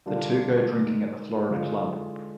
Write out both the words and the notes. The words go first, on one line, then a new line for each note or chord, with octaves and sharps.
The two go drinking at the Florida Club.
D3 G3 A#3 D4 F4
G#3 D#4 A#4
D3 G#3 D4 F4 G#4